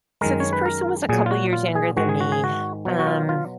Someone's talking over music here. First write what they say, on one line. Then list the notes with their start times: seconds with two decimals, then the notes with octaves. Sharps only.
So this person was a couple years younger than me, um,
0.21 F#2 D#3 G#3 A#4
0.40 C#5
0.53 B4
0.66 A#4
1.09 A#2 F#3 G#4
1.26 F4
1.31 F#4
1.53 F4
1.75 G#4
1.97 G#2 D#3 G#3 F#4
2.09 G#4
2.21 F#4
2.32 G#4
2.44 F#4
2.85 B2 F#3
2.99 F#4
3.07 F4
3.29 F4